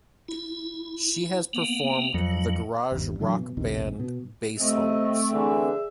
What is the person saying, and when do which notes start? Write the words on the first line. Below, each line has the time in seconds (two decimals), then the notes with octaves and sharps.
She has performed the garage rock band Bassholes.
0.28 E4
1.53 A#3 B3
2.14 F2 F#3
2.92 G1 D#2
3.20 F#2 D3 E3 F#3
3.39 B2
3.57 A#1 D#2 C3 D#3
4.00 B2
4.58 C3 A3 C4 D#5
5.31 D3 E3 G#4 D5 E5